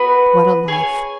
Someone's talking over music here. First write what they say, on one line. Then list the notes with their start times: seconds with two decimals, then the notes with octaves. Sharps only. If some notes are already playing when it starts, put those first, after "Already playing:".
What a life!
Already playing: B3 F#4 B4
0.68 G#4 C#5 G#5